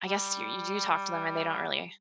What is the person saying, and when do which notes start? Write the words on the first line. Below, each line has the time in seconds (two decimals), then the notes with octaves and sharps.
I guess you you do talk to them and they don't really
0.06 G3